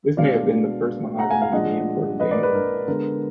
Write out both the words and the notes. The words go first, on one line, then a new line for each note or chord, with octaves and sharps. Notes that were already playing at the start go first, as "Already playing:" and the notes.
This may have been the first mahogany to be imported to England.
B2 G#3 B3 D4 D5 F5
F#5 A#5
F5 G#5
F5 G#5
A#2 F3 G#3 D4 D#5 F#5
B4 D#5
A#4 D5
B4
A#4
D3 G#3 B3 A#4